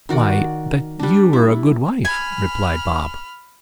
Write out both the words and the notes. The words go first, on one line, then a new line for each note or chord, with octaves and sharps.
"Why, that you were a good wife," replied Bob.
D#3 F#4 D5 F#5
G3 D4
E4
G#5 B5 F6